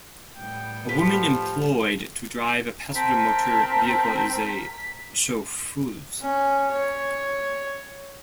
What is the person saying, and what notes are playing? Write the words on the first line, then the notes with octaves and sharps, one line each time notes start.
A woman employed to drive a passenger motor vehicle is a chauffeuse.
A2 G3 B3 G5
F3 G4 A4 B4
C4 A#4 A5 B6
C#4
C#5